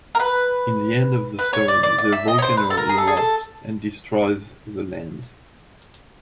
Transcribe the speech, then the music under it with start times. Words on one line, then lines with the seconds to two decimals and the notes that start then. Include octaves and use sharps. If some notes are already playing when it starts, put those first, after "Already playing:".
In the end of the story the volcano erupts and destroys the land.
0.15 A#4
0.20 B4
1.39 B4
1.53 C#5
1.68 D5
1.83 D5
1.98 D5
2.12 E5
2.28 D#5
2.38 C#5
2.42 C5
2.57 B4
2.70 A4
2.77 A#4
2.89 G#4
2.98 A4
3.07 G#4
3.17 A4